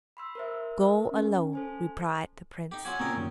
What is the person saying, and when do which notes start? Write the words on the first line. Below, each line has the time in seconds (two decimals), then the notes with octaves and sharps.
"Go alone," replied the prince.
0.17 B5 C6 E6
0.35 A#4 C5 E5
1.11 C#4
1.53 A4 C5 G#5
2.72 D#4 G4
2.85 F#3 C#4 F4 G#5
3.00 A#2 C#3 C#4 G5 A#5 D#6 E6
3.17 F#2 D#3 F#3